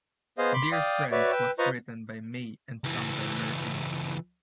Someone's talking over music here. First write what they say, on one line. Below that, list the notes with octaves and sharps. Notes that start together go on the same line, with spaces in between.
"Dear Friends" was written by May and sung by Mercury.
B3 G#4 C5 D#5 F5
B5 C6 D6
D5 F5 G5 D#6
F#4 B4 C#5 D5 E5
B4 G5 E6
F4 B4 C5 D#5 A#5 C#6
C#2 E3